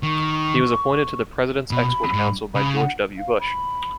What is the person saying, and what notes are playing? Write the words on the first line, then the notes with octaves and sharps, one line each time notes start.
He was appointed to the President's Export Council by George W. Bush.
D#3 C#6
B2 B5
G#2
C#3 B5
F#5
F5
B5